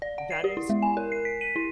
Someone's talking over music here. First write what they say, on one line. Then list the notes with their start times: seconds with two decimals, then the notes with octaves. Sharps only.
that is
0.02 D5
0.18 F#5
0.30 C7
0.44 G4
0.57 E4
0.69 G#3
0.82 G#5
0.97 A#4
1.12 C7
1.25 B6
1.41 D#7
1.56 E4